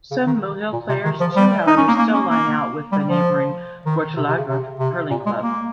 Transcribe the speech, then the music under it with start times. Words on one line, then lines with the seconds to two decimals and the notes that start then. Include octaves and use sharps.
Some Mohill players do however still line out with the neighbouring Gortlettragh Hurling Club.
0.11 C#3
0.27 D#3
0.73 A#2
0.89 C3
1.05 D#3
1.20 F3
1.36 G3
1.67 D#4
1.77 C#4
1.88 A#3
1.99 A#3
2.14 C#4
2.30 A#3
2.92 G3
3.08 F3
3.86 D#3
4.17 C3
4.28 C3
4.38 C#3
4.48 C3
4.79 C3
5.10 A#2
5.26 G#3
5.42 A#3